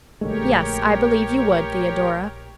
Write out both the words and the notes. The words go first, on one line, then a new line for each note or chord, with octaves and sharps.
"Yes, I believe you would, Theodora."
A#1 D3 G#3 A3 G4 A#4 C#5